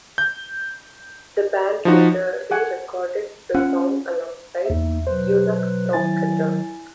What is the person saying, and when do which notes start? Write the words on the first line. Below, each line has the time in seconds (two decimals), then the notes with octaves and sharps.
The band later re-recorded the song alongside "Eunuch Provocateur".
0.18 G6
1.85 F3 D#4 F#4
2.51 G4 F#5 G#5
3.54 C#4 F4 F#5
4.65 E2 A#3 D#4 E5
5.07 B2 F#3 B4 C5
5.93 D#3 F#3 E4 G#5 A6